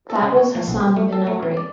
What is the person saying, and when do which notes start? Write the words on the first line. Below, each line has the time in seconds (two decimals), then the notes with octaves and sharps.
That was Hassan bin Omari.
0.10 A4
0.22 C#3
0.37 C#5
0.55 F3
0.68 B1
0.80 G4
0.96 A3
1.13 A4
1.27 A3
1.43 E3
1.57 D5